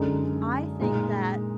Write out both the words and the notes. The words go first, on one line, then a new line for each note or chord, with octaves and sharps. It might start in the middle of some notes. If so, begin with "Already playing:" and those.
I think that
Already playing: F#2 D3 G#3 D#4
A#2 G#3 D#4